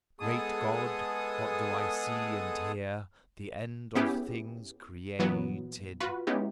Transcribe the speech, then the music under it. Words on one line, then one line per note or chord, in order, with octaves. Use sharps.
"Great God, what do I see and hear? The end of things created."
G#3 B3 G#4 A4 D#6
B3 C#4 E4 G4 G#4
A#2 E3 F#3 B3
F4 F#4 B4
G#3 B3 C#4 D#4 E4 G4